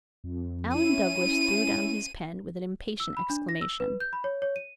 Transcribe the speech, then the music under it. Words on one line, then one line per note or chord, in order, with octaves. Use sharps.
Alan Douglas threw down his pen with an impatient exclamation.
F2
C#4 E4 D#7
E6
B5
D4
A#6
E6
B4
G6
B5
C#5
C#5
D#7